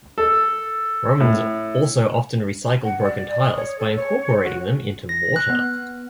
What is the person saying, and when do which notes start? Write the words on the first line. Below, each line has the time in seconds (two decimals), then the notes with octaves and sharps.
Romans also often recycled broken tiles by incorporating them into mortar.
0.18 A4
1.20 A2
2.83 F#5
3.02 D5
3.43 D#6
3.55 C#5
3.78 A4
3.96 C#5
4.43 F#4
5.09 A#6
5.36 F#6
5.50 B3